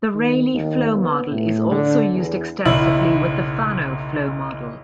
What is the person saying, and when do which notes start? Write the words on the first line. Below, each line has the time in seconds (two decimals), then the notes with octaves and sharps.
The Rayleigh flow model is also used extensively with the Fanno flow model.
0.14 D#3
0.54 D#2
0.97 B3
1.31 A2
1.71 D3
2.14 E2
2.65 F#1 B1 E4 F#7